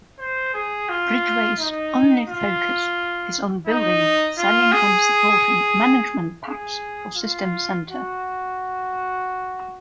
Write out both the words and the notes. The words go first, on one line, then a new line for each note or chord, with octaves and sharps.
BridgeWays' only focus is on building, selling and supporting Management Packs for System Center.
C5
G#4
F4
D#4
F4
D#4
F4
G#4
G#4
F4
F#4